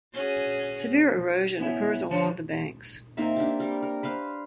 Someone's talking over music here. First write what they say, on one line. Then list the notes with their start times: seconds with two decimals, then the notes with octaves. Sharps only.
Severe erosion occurs along the banks.
0.13 C#4 F#4 G#4
1.59 B3 C#4 E4 E5
2.11 D3 F3 G3 D4 C5 C#5
3.17 A#3 C4 D#4 E5
3.36 D4 G4
3.60 G3 A#4
3.83 A#4
4.03 B4 C5 F5